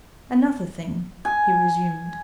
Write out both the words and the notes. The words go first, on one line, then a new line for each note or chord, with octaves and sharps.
"Another thing," he resumed.
G#5